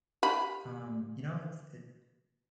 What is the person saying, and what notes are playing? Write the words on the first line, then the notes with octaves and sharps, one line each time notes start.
um, you know, it's it
G4 B5